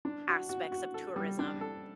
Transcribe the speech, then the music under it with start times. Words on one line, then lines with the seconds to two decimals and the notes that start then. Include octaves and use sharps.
aspects of tourism,
0.05 D4
0.28 F#4
0.49 F#4
0.72 F#4
0.94 A4
1.16 G3
1.39 D4
1.61 A4